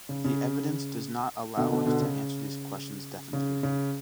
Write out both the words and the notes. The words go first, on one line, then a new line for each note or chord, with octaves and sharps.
The evidence does not allow us to answer these questions definitely.
C#3
C#3
B2 D3
B2 D3
B2 D3
C#3
C#3
C#3